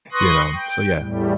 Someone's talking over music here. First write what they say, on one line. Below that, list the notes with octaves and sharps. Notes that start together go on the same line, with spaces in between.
you know? So yeah.
B4 C6 C#6 D#6 F#6 A#6
G5
E2 A2 G3